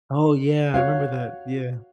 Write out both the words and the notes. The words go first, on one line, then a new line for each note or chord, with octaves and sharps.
Oh yeah, I remember that yeah.
F#4 C#5 F5